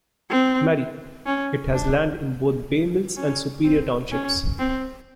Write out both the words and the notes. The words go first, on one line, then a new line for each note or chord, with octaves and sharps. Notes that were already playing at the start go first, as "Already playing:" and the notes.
Marie; it has land in both Bay Mills and Superior townships.
C4
C#4
D4
C#4
C4
C#4
C4